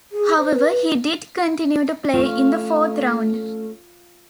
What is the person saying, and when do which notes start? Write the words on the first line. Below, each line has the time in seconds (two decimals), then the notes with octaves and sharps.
However, he did continue to play in the fourth round.
0.12 G#4
0.37 C5
0.53 B4
0.66 B4
2.14 A3 C#4 F4 F5